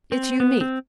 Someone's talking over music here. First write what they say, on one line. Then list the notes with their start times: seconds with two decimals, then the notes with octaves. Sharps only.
It's unique.
0.12 C4
0.40 B3
0.61 C4